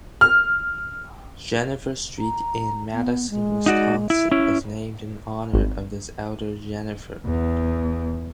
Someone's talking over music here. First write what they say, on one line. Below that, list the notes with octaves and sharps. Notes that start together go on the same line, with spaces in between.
Jenifer Street in Madison, Wisconsin, is named in honor of this elder Jenifer.
F6
A#5
B3
G#3
D#4 F#4 D5
E4 E5
C#4 E4
G#1
E2